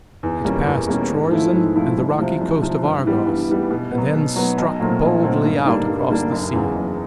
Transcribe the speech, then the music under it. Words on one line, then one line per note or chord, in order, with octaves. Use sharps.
It passed Troezen and the rocky coast of Argos, and then struck boldly out across the sea.
E2
B2 G3 A#3 C#4
E2
B2 G3 A#3 C#4
G#2
F3 A3 C4 E4
G#2
F3 A3 C4 E4
C2
C3 F3
C2
C3 F3
G2
E3 G3 B3
G2
E3 G3 B3
B2
B3
F#3
B2
F#3 B3
B1
A#2 F#3 A3 C4
B1
A#2 F#3 A3 C4
G2
D3 G3 A#3 D4
G2
D3 G3 A#3 D4
F#1
E2 C#3 F#3
F#1